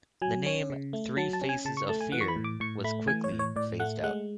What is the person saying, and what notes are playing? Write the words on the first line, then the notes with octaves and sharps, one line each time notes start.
The name "Three Faces of Fear" was quickly phased out.
F#3 G#5
C#4
C#3
A3
F#3 A5
A5
C#4
G#5
C#3 A5
C#6
A3 A5
G#5
E3 F#5
C#6
B5
A2
D6
A2 C#6
A3 B5
E3 G#5
C#5
A2
C#5
A2 D5
A3 F#5
G#3 F#5